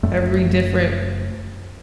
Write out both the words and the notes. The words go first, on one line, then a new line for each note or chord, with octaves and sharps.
every different
F#1 F#2 A3